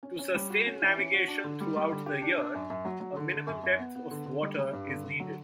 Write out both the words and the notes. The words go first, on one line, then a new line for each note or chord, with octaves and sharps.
To sustain navigation throughout the year a minimum depth of water is needed.
C#4
C#4
G3
F#4
C#4
E3
C#4
F#4
D4
D3
G3
G3
D3
G4
D4
D4
F#2
F#2
F#3
F#3
D3
D3
F#2
F#2
B3
B3
D3
D3
G3
G3
G2
D3
D3
F#3